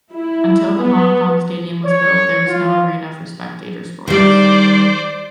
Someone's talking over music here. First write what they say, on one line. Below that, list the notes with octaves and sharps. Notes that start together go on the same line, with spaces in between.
Until the Hong Kong Stadium was built, there was no arena for spectator sports.
E4
B3
C#5
F4
D#3 G3 C5 D5